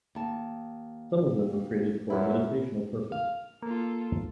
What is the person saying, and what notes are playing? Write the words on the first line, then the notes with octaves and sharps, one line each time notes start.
Some of them were created for meditational purpose.
D#2 A5
F#2 E4
F5
A#3 F4 A4